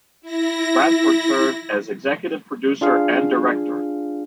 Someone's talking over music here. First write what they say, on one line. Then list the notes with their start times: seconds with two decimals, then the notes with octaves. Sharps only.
Bradford served as executive producer and director.
0.22 E4 A#6
2.81 D4 F4 G#4 F5